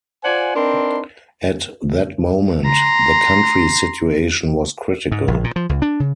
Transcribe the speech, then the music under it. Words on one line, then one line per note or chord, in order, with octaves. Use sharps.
At that moment, the country situation was critical.
F4 C5 D5 F#5 G#5
C4 D4 D#4 A#4 B4 C6
A#5 C6
G#2
A#1
A#2
F3
C#2
D4
C#3